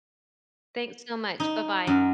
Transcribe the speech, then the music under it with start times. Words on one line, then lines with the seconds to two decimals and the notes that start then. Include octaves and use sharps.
Thanks so much. Bye bye.
1.40 D#4
1.87 F#2